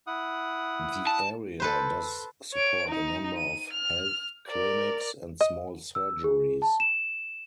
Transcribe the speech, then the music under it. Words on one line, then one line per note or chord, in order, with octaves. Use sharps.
The area does support a number of health clinics and small surgeries.
E4 F#5 D#6
A5
A4 B4 C5
C#5 D7
D#4
D#7
F6
A#4 D5
D#5
E6
G#4
A5
E7